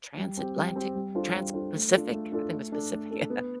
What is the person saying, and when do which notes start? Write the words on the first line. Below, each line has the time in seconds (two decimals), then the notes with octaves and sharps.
transatlantic transpacific? I think it was Pacific? Yeah,
0.18 G3
0.37 C4 G4
0.56 G3
0.76 C4 G4
0.95 G3
1.15 D4 F4 A4 C5
1.35 G3
1.54 D4 F4 A4 C5
1.74 A3
1.94 D4 F4 A4
2.13 A3
2.32 D4 F4 A4
2.52 A3
2.72 D4 A4
2.91 A3
3.11 D4 A4
3.30 B3